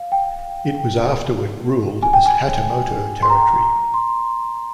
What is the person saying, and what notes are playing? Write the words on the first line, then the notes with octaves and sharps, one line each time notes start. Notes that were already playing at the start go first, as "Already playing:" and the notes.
It was afterward ruled as "hatamoto" territory.
Already playing: F5
G5
G#5
G5
G#5
C6
A#5
C6